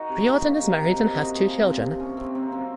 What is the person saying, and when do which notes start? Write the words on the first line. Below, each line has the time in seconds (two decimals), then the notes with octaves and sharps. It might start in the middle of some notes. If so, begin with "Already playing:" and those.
Riordan is married and has two children.
Already playing: D#3 D#4 F#4 D#5
0.09 C3
0.26 A#3
0.43 D#3 A#4
0.60 C3
0.78 C3
0.96 C3 C5
1.09 C3 D#5
1.22 F#4
1.31 A#3 G#4
1.48 F3
1.65 C3
1.83 C3
2.00 C3 C#4
2.17 C3 C4
2.35 A#3 C4
2.52 F#3 C4